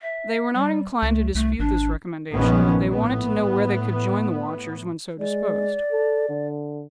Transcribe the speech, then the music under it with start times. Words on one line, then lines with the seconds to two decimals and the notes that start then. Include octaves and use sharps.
They were not inclined to dispute this recommendation, but they wanted to know where they could join the watchers when so disposed.
0.01 E5
0.54 G3
1.02 C#2 A3
1.35 C2 A3
1.59 G#1 D4
2.33 A#1 G2 D#3 F3 B3 C#4
2.89 A2 B3
5.19 G#3 D5
5.91 A4
6.29 D3